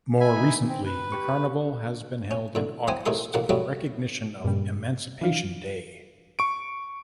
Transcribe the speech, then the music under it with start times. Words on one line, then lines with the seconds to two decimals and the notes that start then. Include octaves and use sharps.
More recently the carnival has been held in August in recognition of Emancipation Day.
0.20 E5 G#5 B5
0.36 D#3 D#4
0.69 C4
0.86 B4
1.12 G4 C#6
2.31 C#4
2.55 E2 D3
2.88 E3 B3 C5 G5 G#5
3.06 D#2 A2 D#4 G#4 C6
3.34 A1 A#3 F#5
3.49 F#3 G3 A3 B3 F#4
4.44 G2 A#2 C#3 G3
5.21 E3 D4 F5
6.39 C#6 D7